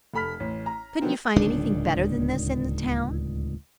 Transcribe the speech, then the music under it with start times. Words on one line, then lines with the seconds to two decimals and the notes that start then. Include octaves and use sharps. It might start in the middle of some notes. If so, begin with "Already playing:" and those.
Couldn't you find anything better than this in the town?
0.14 F1 A4 B5 F6 B6
0.40 A1
0.66 A#5
1.01 D#3 F3 F#3 B3 C4 F4
1.36 D1 C#2 D#3 D4